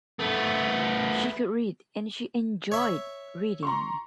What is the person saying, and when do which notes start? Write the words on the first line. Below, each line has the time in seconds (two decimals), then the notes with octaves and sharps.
She could read and she enjoyed reading.
0.19 A3 B3
2.72 C#5 E5
3.63 A#5 C6 C#6